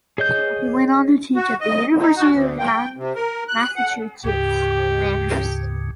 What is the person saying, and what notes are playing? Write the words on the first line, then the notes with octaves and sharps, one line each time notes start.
He went on to teach at the University of Massachusetts Amherst.
G#4 C#5 D#5 G6
F#4
D#5
D#4
F#4
D2
G5
C3
A#4
F#6
F#5
D2 G#2 C#3 G4